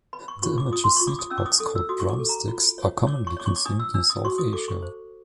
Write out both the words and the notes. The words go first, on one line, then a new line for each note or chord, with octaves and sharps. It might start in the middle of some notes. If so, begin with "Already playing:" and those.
The immature seed pods, called "drumsticks", are commonly consumed in South Asia.
B4 B5
C#6
F4 C#6
D6
F4 D#6
C6
F4 C#6
D6
D#6
C#4 E6
D6
D#6
A4 D#6
E6
F#4 D#6
C#6
D6
A4
A#5
F4
C#5
C#5 D6
C#6
C#5 D6
C#6
D6
D4 D#6
E6
D4 E6
D#6
F#4 C#6
D#6
A4 D6
C#6
C5